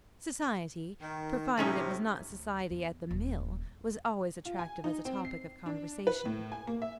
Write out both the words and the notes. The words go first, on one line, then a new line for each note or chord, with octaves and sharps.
Society--provided it was not society at the mill--was always attractive as a topic of conversation.
D#3
A2 C3 F3 C#4 D#4
D2
E2
D#1
F4
G#5
D#4
C4
C7
D4
B4
A2
G#5
A#3
E5